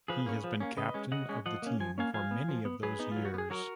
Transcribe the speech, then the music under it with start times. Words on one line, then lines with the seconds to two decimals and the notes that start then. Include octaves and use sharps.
He has been captain of the team for many of those years.
0.08 F3 G#4 B4
0.26 A#3 C#4
0.44 F3
0.60 A#3 C#4
0.77 C#3 B4 D#5
0.94 G#3 C#4
1.12 C#3 D#5 F#5
1.29 G#3 C#4
1.46 F3 D#5 F#5
1.62 A#3 C#4
1.80 F3 G#5
1.98 A#3 C#4 F5 G#5
2.14 F3 F5 G#5
2.31 B3
2.48 F3
2.65 B3
2.83 F#3 G#4 B4
2.99 B3 D#4
3.12 F#3 F4
3.25 F#4
3.34 B3
3.38 G#4
3.50 F#3 F#4 A#4